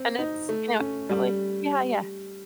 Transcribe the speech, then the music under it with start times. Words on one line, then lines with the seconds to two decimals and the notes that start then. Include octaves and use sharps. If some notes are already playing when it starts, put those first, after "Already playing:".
And it's, you know, probably Yeah, yeah.
Already playing: C4
0.18 D#4
0.49 A3
0.79 C#4
1.10 G3